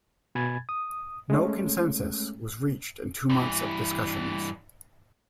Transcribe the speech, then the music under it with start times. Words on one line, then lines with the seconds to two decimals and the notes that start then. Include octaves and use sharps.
No consensus was reached in two months of discussions.
0.35 B2 G#5 B5 G#6 A6
0.69 D#6
1.30 G#3 A3 C#4
3.30 G2 E3